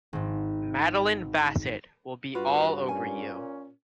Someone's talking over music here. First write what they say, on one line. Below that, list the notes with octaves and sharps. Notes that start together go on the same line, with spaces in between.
Madeline Bassett will be all over you.
G#1 G#2
G2 F4 F#4 B4
A#2 C#4 G#5